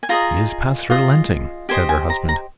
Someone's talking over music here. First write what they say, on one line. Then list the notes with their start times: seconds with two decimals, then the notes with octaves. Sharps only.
"He is past relenting," said her husband.
0.03 G#5
0.09 F4 G#4 D#5 A#5
0.90 F4 G#4 D#5
1.69 G4 C5 D#5 G#5
1.89 G#5
2.10 A#5
2.29 A#5